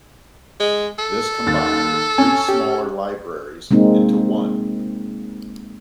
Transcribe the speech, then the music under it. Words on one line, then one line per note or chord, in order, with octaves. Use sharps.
This combined three smaller libraries into one.
G#3
A4
D#2 A6
C#4 G#5
G4
G#3 A#3 C4 D#4